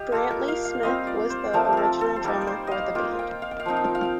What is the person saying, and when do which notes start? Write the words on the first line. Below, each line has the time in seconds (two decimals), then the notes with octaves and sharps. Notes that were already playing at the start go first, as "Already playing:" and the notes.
Brantley Smith was the original drummer for the band.
Already playing: G4 D#5 F5
0.12 A#3 F4 A4
0.31 A#4
0.48 F5
0.65 F5
0.83 G3 C4 F4 D#5
1.07 D5
1.30 C5
1.53 F3 A3 C4 A#4
1.73 A4 A#4
2.01 A4
2.16 C5
2.24 G3 A#3 D#4 A#4
2.41 D5
2.47 C5
2.67 D#5 F5
2.95 A#3 F4 G5
3.19 G5
3.42 F5
3.51 G5
3.59 F5
3.66 F3 C4 D#4 G5
3.76 F5
3.85 G5
3.95 F5
4.03 G5